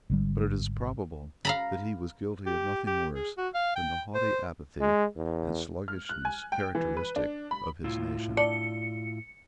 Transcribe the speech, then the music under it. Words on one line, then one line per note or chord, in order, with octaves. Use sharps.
But it is probable that he was guilty of nothing worse than the haughty apathy and sluggishness characteristic of his nation.
G#1 D3 G3
F5 A#5 B5
G4
G4
G#4
F#4
F5
G5
C5
G#3
E2
F6
F#6
G#5
G5
E3
B4
D4
B5
A2 E4 F4
D4 C#7